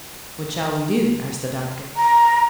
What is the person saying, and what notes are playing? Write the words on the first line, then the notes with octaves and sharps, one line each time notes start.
"What shall we do?" asked the doctor.
A#5